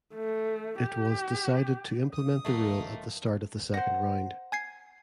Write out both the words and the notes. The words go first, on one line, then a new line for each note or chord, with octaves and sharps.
It was decided to implement the rule at the start of the second round.
A3
G4
D#6
D#1 F#3 A3 A#3 F4 C7
C5 F#5 A#6
G#5 G#6 C7